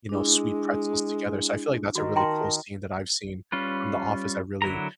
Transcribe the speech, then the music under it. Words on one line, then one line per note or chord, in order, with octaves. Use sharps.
you know, sweet pretzels together, so I feel like that's a really cool scene that I've seen from "The Office" that really,
G#3 D4 E4
D#3 F#4 D#5
A#4 G5 A5 A#5 C6
G3 C#4 F4 B4
D3 F#3 E4 A#4 A#5